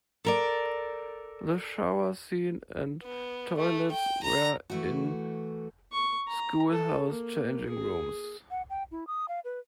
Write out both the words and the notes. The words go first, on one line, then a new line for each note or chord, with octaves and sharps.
The shower scene and toilets were in School House changing rooms.
A4 A#4 D5
B3
A3
G5
A#5
E3 A3 F#4
C#6
A#5
A4
A#3
G#4
F#5
G5
E4
D#6
F5
B4